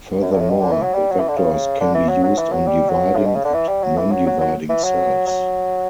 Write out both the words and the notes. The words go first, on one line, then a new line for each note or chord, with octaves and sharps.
Furthermore, the vectors can be used on dividing and non-dividing cells.
F#2
G2
A2
B2
D3
E3
F#3
G3
F#3
E3
D3
C#3
D3
E3
F#3
F#3
E3
F#3
G3
F#3
A2
B2
C#3
D3
E3
G3
F#3
E3
F#3
F#3
F#3
E3
F#3
F#3